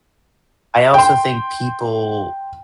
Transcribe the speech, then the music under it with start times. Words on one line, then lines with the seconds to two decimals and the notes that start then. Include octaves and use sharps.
I also think people,
0.94 G5 C6